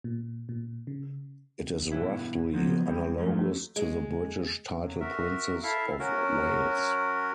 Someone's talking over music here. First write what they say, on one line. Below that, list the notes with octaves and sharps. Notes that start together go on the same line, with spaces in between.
It is roughly analogous to the British title Princess of Wales.
A#2
A#2
C#3
G2 B2 E3 E4
F3 F#3 B3
G3 G#3 C4
F3 F#3 A3
G#3
F#3
F#4 A#4 E5
E4 A4 E5 F5
F#3 C#4 F#4 A#4